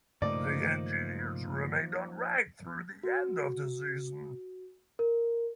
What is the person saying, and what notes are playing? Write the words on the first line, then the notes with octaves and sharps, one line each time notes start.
The Engineers remained unranked through the end of the season.
G2 C#3 F3 A3 A#3 D#4 D5
F#4
A#4